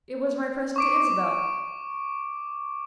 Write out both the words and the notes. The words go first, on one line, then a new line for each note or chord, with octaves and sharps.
"It was my present to Isabel."
C#6 D6 D7